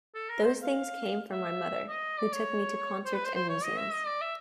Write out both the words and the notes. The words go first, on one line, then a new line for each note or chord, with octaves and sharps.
Those things came from my mother, who took me to concerts and museums.
A4
A#4
C5
F5
E5
D#5
D5
C#5
C5
B4
C5
C5
C#5
D#5
E5
D#5
D5
E5